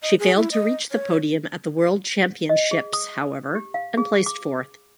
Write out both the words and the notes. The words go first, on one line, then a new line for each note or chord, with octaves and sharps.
She failed to reach the podium at the world championships however, and placed fourth.
D#5
G#4
E4
D#5
C#5
D#5
G#4
D#6
G4
F5
G#4
D6